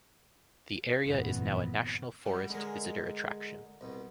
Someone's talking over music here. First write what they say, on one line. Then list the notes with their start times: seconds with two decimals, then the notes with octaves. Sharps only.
The area is now a national forest visitor attraction.
1.04 G1 F2 A#2 D3 E3 B3
2.26 G3 F#5
2.50 D3 G#3 G#4 A#4
3.81 C2 B2